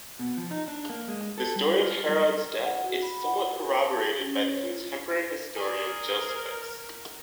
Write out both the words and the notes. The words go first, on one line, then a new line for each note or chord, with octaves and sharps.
The story of Herod's death is somewhat corroborated by the contemporary historian Josephus.
B2
F3
D#4
D4
A#3
G#3
A4
G3
F4
G3
F#5
F#4
B5
F#5
F#4
A#4
A5
G#4
C#4
C#5
F4
G#4 A#4 D5 G#5